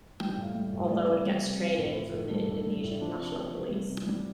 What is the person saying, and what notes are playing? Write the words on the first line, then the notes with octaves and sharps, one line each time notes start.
Although it gets training from the Indonesian National Police.
G3 G5
G5
A2
F5
G3
A2
G3 D5
C3
G3
C3
F3 F5
C5
A2
C5
F3
A2
G3 A4
A2
G3
A2
F3 D4
C3 D4
F3
C3
G3
C3
G3